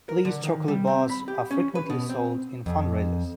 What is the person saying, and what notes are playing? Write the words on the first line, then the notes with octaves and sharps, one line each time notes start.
These chocolate bars are frequently sold in fundraisers.
A#4
D3
D#3
G3
C4
B5
G4
C#4
B4
B2
C4
F2